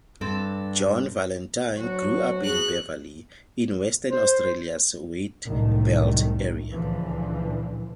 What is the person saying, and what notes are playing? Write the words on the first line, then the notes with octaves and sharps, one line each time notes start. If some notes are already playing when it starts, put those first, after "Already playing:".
Jo Vallentine grew up in Beverley, in Western Australia's Wheatbelt area.
G2 C4 A4
D2 F#3 F#4
G#4 F#6
C5
C2 F#2 A2 D#3 A3
C#2 A#2 D3 E3 F3